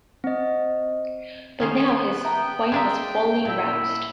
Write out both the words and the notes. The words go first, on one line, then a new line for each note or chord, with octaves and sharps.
But now his wife was fully roused.
C4 D#5
D#3 B3 C#4 C5
E5 G5 A5 A#5
G#3 C#4 D4 E5 F5 A#5
A#2 E4 A#4 E5